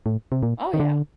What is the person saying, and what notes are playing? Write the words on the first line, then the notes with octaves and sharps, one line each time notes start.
Oh yeah,
A2
C3
A#2
D#3
D3